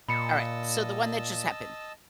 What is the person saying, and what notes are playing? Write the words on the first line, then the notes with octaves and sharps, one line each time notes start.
Alright, so the one that just happened.
A#2 D#5 A5 B5 E6 C#7